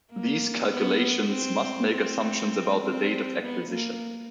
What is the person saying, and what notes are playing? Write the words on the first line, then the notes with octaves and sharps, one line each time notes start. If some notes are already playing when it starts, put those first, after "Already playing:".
These calculations must make assumptions about the date of acquisition.
A#3
B3
C4
C4
C4
B3
A#3